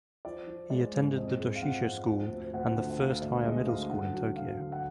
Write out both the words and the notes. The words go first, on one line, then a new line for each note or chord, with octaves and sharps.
He attended the Doshisha School and the First Higher Middle School in Tokyo.
F3 D5
F3
G#3 D5
G#2
F2 D#5
G#3
F5
F2 F#5
F2
F3
D2
D2 F#5
D3
F#5
D2 F5
D2 D5
G#3 D#5
D3 F5
D3 F#5
F#3
F#3 F5
D3
F#5